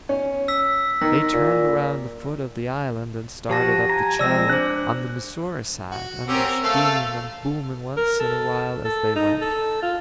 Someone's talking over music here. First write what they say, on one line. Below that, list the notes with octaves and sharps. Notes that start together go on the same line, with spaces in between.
They turned around the foot of the island and started up the channel on the Missouri side, under steam, and booming once in a while as they went.
C#4
E6 B6
D#3 A#6
A#2
F3 F#4 G4 A5 A#6
G#5 A#5
F3 G#3 C4 D5 E6 A#6
D4 C5 D6 F#6
F#4
C4 C#4 G4 A#4 E6
A3 A4 F5
A#4
A4
A4
D#4
A4
F4